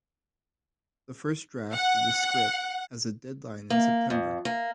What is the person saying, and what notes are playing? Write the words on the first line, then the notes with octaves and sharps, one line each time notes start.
The first draft of the script has a deadline in September.
F#5
A#3
F2
A#3